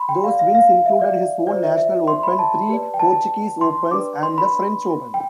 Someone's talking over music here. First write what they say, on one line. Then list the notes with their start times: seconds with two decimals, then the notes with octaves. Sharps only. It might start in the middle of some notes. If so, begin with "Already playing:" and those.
Those wins included his own national open, three Portuguese Opens and the French Open.
Already playing: B5 C6
0.09 G5
0.24 G4 D5 F5
0.39 F5
0.55 F5
0.86 E5
1.02 D5
1.46 F4 C5 D5
1.63 E5
1.77 E5
2.08 C6
2.23 B5
2.39 A5
2.69 G4 B4 D5
2.94 G5
3.00 A5
3.61 C6
3.91 D4 G4 B4 D5 D6
4.23 C6
4.38 B5
5.14 G5